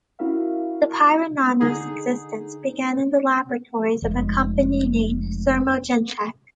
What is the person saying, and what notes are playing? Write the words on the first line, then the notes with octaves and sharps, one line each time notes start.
The Pyronanos existence began in the laboratories of a company named Thermogentech.
C#4 E4 F#4 A#4 E5 F5
D3 D#4 G#4
F1 G#3